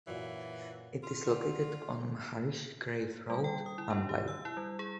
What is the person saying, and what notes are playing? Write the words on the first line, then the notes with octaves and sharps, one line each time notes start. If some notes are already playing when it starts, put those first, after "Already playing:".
It is located on Maharishi Karve Road, Mumbai.
F#2 A#2 E3
F4
D3 G4
G3
G5
D#6
E4
D4
G4
E6
E4
G3
G#4